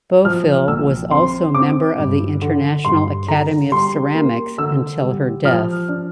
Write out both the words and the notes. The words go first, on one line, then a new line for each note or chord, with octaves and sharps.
Bofill was also member of the International Academy of Ceramics until her death.
F3 F6
A#1 E6
C4 C6
C4 D6
G2
D3
G2 C6
D3 A#5
G3 C6
A#3
D3 E6
G3
F3 F6
D4